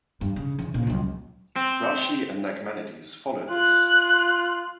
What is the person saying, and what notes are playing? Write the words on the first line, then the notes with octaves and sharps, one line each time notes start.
Rashi and Nachmanides followed this.
G2
C#3
E2 C#3
A#2 C#3
C#2 F#3
C4
F4 F#6